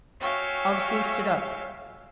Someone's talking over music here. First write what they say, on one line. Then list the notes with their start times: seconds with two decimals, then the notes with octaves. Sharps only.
Augustine stood up.
0.20 F#4 C#5 E5 F5 G5 G#5